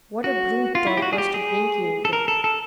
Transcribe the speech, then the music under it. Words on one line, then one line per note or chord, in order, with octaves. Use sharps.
What a brute Torp was to bring you over.'
F#4
F4
E4
G4
F#4
G#4
G4
G#4
A4
A#4
A4
A4